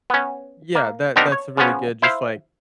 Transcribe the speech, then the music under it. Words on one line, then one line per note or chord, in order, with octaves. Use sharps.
Yeah, that that's a really good just, like,
B3 C#4
A#3
B3 C4 D4 D#4 G4 A#4
C#5
C#3 F3 B3 C#4
E4 C5 F5